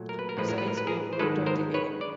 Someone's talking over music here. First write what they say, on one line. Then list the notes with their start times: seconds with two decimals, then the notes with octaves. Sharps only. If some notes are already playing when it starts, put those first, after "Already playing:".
Besides, we've routed the enemy.
Already playing: A#2 F#3 A3
0.09 A#4
0.19 B4
0.29 A#4
0.37 A2 F3 G#3 B4
0.49 A#4
0.58 B4
0.68 A#4
0.77 B4
0.87 G#4 A#4
1.13 C5
1.19 G#2 D#3 G#3 A4 B4
1.46 A#4 C5
1.74 B4 C#5
2.01 D5